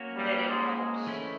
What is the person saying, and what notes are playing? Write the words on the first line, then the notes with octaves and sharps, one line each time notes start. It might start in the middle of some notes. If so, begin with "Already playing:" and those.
that it helps
Already playing: A#3 C#4 F#4 A#4 C#5
G2 G3
G#2 G#3
G#2 G#3
E3 A3 C#4 E4